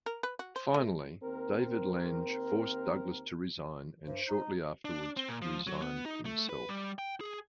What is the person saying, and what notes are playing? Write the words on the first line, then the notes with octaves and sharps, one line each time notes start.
Finally, David Lange forced Douglas to resign, and shortly afterwards resigned himself.
A#4
B4
F#4
C5
A3
D#2 C4 A#4
G2 C5
D#4
D4
C4
A#2
F3
F#3
B3
D#4
A3
B4
G3
G5
G#4